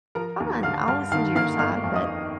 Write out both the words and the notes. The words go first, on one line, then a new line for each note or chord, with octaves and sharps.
fine, I'll listen to your side, but
F3 A#4 A#5
D#2
D3 F5 F6
G2 F5 F6
D#3 F5 F6
A#3 F5 F6
G1 F5 F6
F2
D#5 D#6
F2